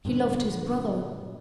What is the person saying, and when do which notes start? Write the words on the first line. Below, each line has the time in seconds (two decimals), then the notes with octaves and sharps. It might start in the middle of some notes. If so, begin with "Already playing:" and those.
She loved his brother.
0.05 G2 A#2 D3